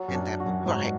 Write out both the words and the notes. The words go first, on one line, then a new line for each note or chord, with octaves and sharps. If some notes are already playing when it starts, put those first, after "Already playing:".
And that mo right.
Already playing: F#3
F#2
D4
F#4
F#2
G#2 F#3